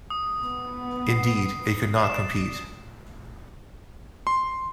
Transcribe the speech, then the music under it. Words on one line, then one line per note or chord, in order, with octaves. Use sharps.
Indeed, it could not compete.
D#6
B3
C7
D5 E7
C6